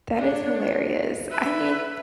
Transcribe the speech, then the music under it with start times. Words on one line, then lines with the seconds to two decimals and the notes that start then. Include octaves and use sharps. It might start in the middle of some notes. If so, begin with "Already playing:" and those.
That is hilarious. I mean,
0.16 D4 C#5
1.30 B4 E5